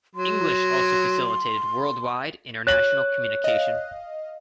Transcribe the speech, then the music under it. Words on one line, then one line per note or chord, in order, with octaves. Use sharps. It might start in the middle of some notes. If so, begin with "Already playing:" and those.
English also facilitated worldwide international communication.
F#3 C6
C#5 F#6 F#7
D#5 F5